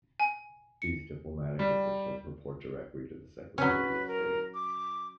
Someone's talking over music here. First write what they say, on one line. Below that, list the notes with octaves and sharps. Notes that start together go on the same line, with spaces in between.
These diplomatic officials report directly to the Secretary of State.
G#5
C#7
G3
F#3 C#4 B4
A#4
D6